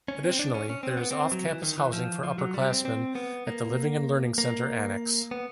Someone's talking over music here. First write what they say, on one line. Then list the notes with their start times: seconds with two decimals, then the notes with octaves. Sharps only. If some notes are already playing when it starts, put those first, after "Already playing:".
Additionally, there is off-campus housing for upperclassmen at the Living and Learning Center Annex.
0.08 C#4
0.24 C4
0.39 D4
0.54 C#4
0.70 C#4
0.83 C4
0.97 B3
1.11 C4
1.32 F#3
1.47 E3
1.63 D#3
1.78 E3
1.93 F3
2.23 F3
2.38 F#3
2.54 G3
2.70 C4
2.85 C4
3.15 B3
3.47 A#3
4.38 A#3
5.31 B3